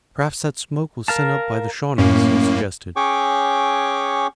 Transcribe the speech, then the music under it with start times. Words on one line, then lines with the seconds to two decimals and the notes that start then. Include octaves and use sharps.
"Perhaps that smoke was sent up by the Shawnees," he suggested.
1.08 A#4 F5 A5
1.98 F#2 A2 A#3 C#4
2.96 C#4 G#4 C#5 G5 C#6 D6